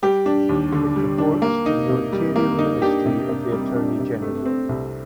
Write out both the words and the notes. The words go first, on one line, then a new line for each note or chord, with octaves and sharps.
It reports to the Ontario Ministry of the Attorney General.
G3 G4
D4
D#2
D3
G3
D4
A#3
D#4
C3
G3
A#3
D#4
D4 G4
C3
C3
G3
D4
C3
A3
C4
C2